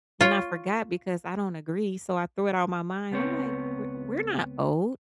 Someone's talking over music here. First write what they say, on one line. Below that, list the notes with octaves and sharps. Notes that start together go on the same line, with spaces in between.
and I forgot because I don't agree, so I threw it out my mind. I'm, like, "We're we're not old,
F4 C#5
C#2 B3 C4 C#5